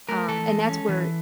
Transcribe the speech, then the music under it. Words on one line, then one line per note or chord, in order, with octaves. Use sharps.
Um, and that's where
A3 A#4
E3 A4
G#3
C#4
E3